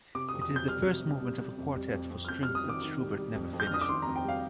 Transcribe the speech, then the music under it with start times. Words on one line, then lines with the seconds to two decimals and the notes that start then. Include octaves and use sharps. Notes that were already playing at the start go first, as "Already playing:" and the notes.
It is the first movement of a quartet for strings that Schubert never finished.
0.15 C3 D6
0.29 D#6
0.34 F2
0.42 D#6
0.51 F2
0.56 G6
0.68 G3 F6
0.86 C3
1.04 G3
1.22 G3
1.40 G3
1.58 F2
1.75 G3
1.93 F2
2.11 F2
2.25 F6
2.29 F2 G6
2.43 F6
2.47 G3
2.55 D#6
2.64 D#3
2.69 D6
2.82 D#3
3.01 G3
3.18 G3
3.36 F2
3.53 F2
3.60 G6
3.67 F6
3.71 D4 D#6
3.81 D6
3.89 D#3 C6
4.02 A#5
4.07 F2
4.16 G5
4.24 G3 F5